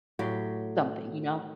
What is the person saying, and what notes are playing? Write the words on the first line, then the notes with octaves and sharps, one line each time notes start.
something, you know?
A2 F#3 G4 G5